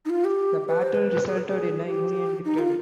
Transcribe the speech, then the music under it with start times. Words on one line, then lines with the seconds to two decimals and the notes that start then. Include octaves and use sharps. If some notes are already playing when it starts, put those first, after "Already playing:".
The battle resulted in a Union victory.
0.05 D#4
0.09 F4
0.24 G4
0.68 B4
0.81 C5
0.94 B4
1.27 G#4
1.37 B4
1.47 G#4
1.85 G4
2.44 D#4
2.58 F4